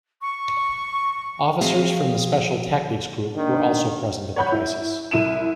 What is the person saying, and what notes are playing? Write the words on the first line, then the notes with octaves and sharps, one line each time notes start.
Officers from the Special Tactics Group were also present at the crisis.
C#6
F3 C4 F#4 G#4 E5 F5
D#3 A#3 D4
C#5 F#5 B5 G6
E4
C2 E4 D#7 E7